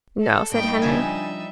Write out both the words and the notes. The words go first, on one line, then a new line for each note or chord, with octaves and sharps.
"No," said Henry.
A4
A2 G3 D#4 G5
C#3 F3 D4 E5 G#5